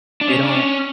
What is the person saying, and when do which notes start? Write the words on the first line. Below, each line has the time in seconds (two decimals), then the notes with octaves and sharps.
they don't,
0.21 D4
0.28 C#4
0.43 D4
0.55 C#4